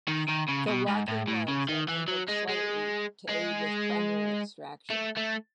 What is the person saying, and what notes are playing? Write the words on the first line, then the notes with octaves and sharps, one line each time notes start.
The locking lugs are angled slightly to aid with primary extraction.
D#3
D#3
C#3
B2
G#2
A2
A2
C#3
D#3
E3
F#3
G#3
G#3
G#3
A3
A3